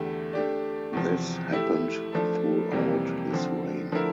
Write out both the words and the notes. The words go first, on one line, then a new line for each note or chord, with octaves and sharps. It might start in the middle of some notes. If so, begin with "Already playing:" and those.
This happened throughout his reign.
Already playing: E2 D3 A3 E4 G4
A3 D4 G4 D5
E2 C3 F3
A3 E4 G4
F3 A3 D4 A4
F2 C3 E3 G3 A#3
D3 F3 C4
D3 F3 A3 E4 A#4